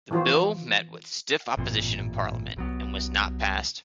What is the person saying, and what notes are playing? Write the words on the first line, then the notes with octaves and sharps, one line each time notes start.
The bill met with stiff opposition in Parliament, and was not passed.
E3 F3 F4 F#4 C5
A1 G2 A#2 C4
C2 F#3 B3